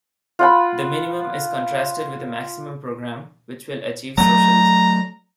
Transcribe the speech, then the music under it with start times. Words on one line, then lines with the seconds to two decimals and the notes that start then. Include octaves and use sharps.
The minimum is contrasted with a maximum programme, which will achieve socialism.
0.39 F4 F#5 B5
4.18 F#3 A3 A#5